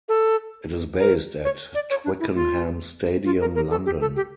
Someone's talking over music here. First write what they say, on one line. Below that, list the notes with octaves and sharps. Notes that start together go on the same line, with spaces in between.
It is based at Twickenham Stadium, London.
A4
A#4
C#5
D5
C#5
D4
E4
F4
F4
A#4
A#4
A4
G4
A4
G4